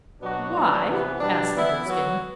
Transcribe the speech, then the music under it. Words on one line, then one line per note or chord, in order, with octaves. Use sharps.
"Why?" asked the Blueskin.
B2 F#3 B3 D4 F#4
A2 F#3 B3 D4 F#4
C3 E3 B3
B2 G3 D4
E3 B3 E4
F#3 B3 F#4